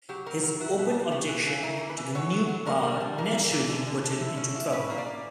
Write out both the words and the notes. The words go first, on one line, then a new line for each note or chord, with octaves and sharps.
His open objection to the new power naturally put him into trouble.
F#3 G4
F#3 A#4
F#3 A#4
E4 F#4
B2
A#3
C#3 G4
E3
C#3
E4 A#4
A#3
B4
E3
F#3 C#5
F#3
F#3
D3 A#4
G3
D4
E3 A#4
A#3
E3
D3
D3
D3
E4
C#4
E4
C#4 B4
A#3
D5
A#3